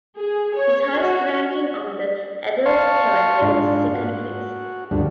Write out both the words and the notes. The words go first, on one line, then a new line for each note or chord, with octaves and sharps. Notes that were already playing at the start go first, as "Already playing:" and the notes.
His highest ranking on the Adelskalender was a second place.
G#4
C#5
F#4
F5 A5 C6 C#6
G#2 D4 F4
F#4
D2 G2 F3 G3 A3 D4